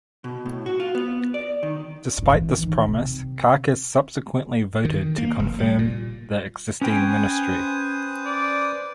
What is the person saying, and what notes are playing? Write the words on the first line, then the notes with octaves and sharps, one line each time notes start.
Despite this promise, caucus subsequently voted to confirm the existing ministry.
B2
A2
F#4
F4
B3
D5
D#3
G#1 A2
E3
D#3
C3
D#3
A#3
F1
G3
A#2
C#4 B4 C5 G5 G#5 D#6
D5